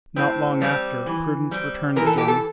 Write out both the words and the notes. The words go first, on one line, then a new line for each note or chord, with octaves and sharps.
Not long after, Prudence returned again.
A2 C4
G3 C4
E3
G3 C4
E3 A#4
A4
G4
A4